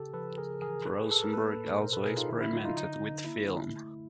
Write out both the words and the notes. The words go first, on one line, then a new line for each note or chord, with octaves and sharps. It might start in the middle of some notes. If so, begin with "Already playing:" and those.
Rosenberg also experimented with film.
Already playing: C#3 G4 A4
F3 A4 B4
C#3 G#4 A#4
E3 G#4 A#4
A2 A4 B4
G#4
A2 A4
A#4
A#3 A4 B4
A2
B2 A#4 C5
A4 B4
B2 G#4 A#4
D#4 F4
D3 E4
E4
F#3 D#4 F4
D#4 F4
D3 D#4
D3
A#3 E4
D3
A3